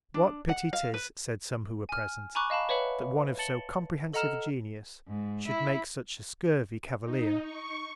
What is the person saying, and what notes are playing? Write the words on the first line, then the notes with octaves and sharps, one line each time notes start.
What Pity 'tis, said some who were present, that one of so comprehensive a Genius, should make such a scurvy Cavalier?
D4
F#5
F5
B4
G#5 F6
G#5 A#5 B5 C#6 D6 F#6
D#5 F5 A5 B5
B4 C#5 E5 F#5 B5
A5 A6 C#7 F#7 G7
A4 D#5 F#5 A#5 F6 E7
G#2
E4
D#4
C#6